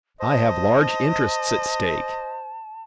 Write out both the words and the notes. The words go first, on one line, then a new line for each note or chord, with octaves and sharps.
I have large interests at stake.
C5 D#5 A5